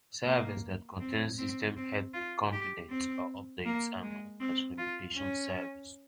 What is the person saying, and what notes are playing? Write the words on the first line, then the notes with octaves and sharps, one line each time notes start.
Servers that contain system health components or updates are known as remediation servers.
A#3
C4
C4
C4
F4
G4
C4
A#3
G#3
C4
F4
C#4